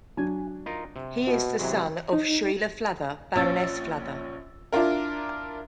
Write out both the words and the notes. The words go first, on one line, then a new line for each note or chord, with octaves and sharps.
He is the son of Shreela Flather, Baroness Flather.
F#3 D4 G#5
D#4 F4 A#4
C3
B2 F#4
C3 E3 F#3 G#3
D#4
A#1 C#4 E6 A6
D4 E4 F4 A#4